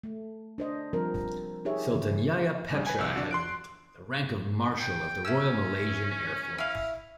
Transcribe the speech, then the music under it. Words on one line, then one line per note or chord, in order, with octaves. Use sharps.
Sultan Yahya Petra held the rank of Marshal of the Royal Malaysian Air Force.
A3
D4 C5 D#5
F3 G3 C4 A#4
D#4 G4 G#4 C#5 E5
C#3 E3
C#3 G3 D4
B4 G#5
C2 E6
D4 F#4
C6 F#6 D7
G5
C#4 E4 E6
E4 F5